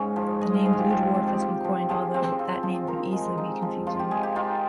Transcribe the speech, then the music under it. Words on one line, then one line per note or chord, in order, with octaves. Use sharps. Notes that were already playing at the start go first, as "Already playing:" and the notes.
The name blue dwarf has been coined although that name could easily be confusing.
Already playing: G#2 G#3 C#4 F5 G#5
F3
G#3 D#5
F5
G#2 G#4
F4
G4
F3 F4
C4 F4
G4
F4
F3
F3 G#4
C4
F4
F3
F3 A#4
G#3
D#4
F3
F3 F4
G4
G#3 G#4
G4
D#4 F4